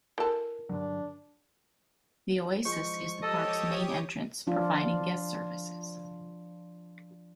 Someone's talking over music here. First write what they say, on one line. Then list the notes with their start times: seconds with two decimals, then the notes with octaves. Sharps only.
The Oasis is the park's main entrance, providing guest services.
0.18 E3 A4 A#4
0.69 G2 D3 F#3 D4
2.65 F3 G#3 C5 C#6
3.22 G4 A4 C#5 D#5 D#6
4.47 F3 D4 F4